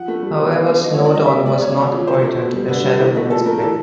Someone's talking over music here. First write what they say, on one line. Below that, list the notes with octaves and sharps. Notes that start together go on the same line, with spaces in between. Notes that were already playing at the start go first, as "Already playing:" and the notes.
However, Snowdon was not appointed to the shadow ministry.
Already playing: F3 F#5
A3
G3
B2
F#3 F5
A3
F3 D#5
C#5
G#3
D5
G3 D#5
E5
B2
G#3 D5
B2 C#5
C#3
F3
F#3 C5
A3
B2
G3
D3 B4
G3
E3
A3
F3 A4
A3 A#4
E3 A4